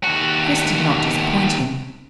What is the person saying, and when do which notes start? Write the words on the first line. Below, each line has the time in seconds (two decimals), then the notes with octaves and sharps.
Chris did not disappoint him.
0.04 D#2 F#4